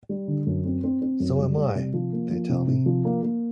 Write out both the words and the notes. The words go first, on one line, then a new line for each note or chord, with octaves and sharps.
So am I, they tell me.
G3
D3
F#2
C4
C4
C4
F#2
G3
G3
C3
F3
A#3
F3
C3
C3
F3
A#3
A#3